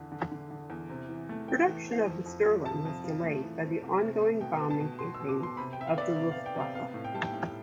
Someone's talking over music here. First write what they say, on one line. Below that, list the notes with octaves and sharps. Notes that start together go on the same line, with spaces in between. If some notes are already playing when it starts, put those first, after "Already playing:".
Production of the Stirling was delayed by the ongoing bombing campaign of the "Luftwaffe".
Already playing: E2 D3
D3
D3
D3
E2
C3
E3
A3
E3 G5
E3
C4
F2
F2
F3
C3 A5
F2
F3
A3
E3
C4
C3
C3
A3
B2 G5
B3
A5
B2
B2 C6
E6
B2
D6
B3 C6
C3 B5
G5
C3 E5
F5
B3 D5 E5
C3 E5
F5
B3
G5
C3 F5
B3 F5
A2
G5
G3 A5
G5
A2